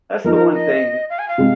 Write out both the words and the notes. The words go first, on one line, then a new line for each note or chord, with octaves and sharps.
that's the one thing
F3 A#3 D#4 A#4
A#4
D#5
F5
G#5
F5
C3 G#3